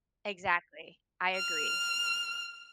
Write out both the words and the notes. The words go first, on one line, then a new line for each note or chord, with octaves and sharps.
Exactly. I agree.
F6